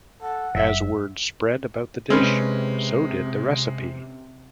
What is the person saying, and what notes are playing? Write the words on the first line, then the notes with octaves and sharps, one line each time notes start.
As word spread about the dish, so did the recipe.
A4 F#5
F#1 E5
C3 G#3 C4 C#4 B4